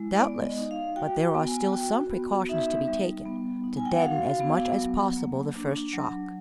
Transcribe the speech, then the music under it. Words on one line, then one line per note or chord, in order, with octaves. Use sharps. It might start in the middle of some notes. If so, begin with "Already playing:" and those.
"Doubtless; but there are still some precautions to be taken, to deaden as much as possible the first shock."
Already playing: G#3 E4
B3 D5
D#5
D#4
F5
F#4 G5
G5
B3
G#5
F#4 G5
B3
D#4 E5
G3
B3
D#4
G#5
G5
F#5
F#4 F5
B3
F#3
A#3
D4
F#3